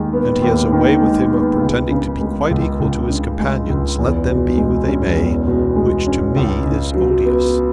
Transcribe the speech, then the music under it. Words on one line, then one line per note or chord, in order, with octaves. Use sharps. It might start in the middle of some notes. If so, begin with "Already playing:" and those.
And he has a way with him of pretending to be quite equal to his companions, let them be who they may, which to me is odious.
Already playing: D#2 D#3 G#3
B3
D#2
D#3
G#3
B3
C#2
C#3
G#3
C#2
C#2
C#3
G#3
C#2
E2
B2
G#3
C#4
E2
B2
G#3
C#4
C#2
C#3
F#3
B3